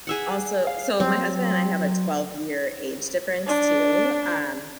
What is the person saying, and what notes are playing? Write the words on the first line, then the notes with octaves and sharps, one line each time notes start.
also So my husband and I have a twelve-year age difference too, um
G#4 E5 F#5
F5
F#3 C4
D4